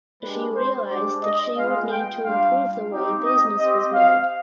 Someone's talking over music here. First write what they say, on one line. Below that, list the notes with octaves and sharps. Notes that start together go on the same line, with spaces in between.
She realised that she would need to improve the way business was made.
G#3 D4 G4 B4
C5
G#3 D4 G4 D5
D#5
G#3 B3 F4 F5
G5
G3 D4 F4 F5
C4 D#4 G4
D#5
C4 G4 D#5
F5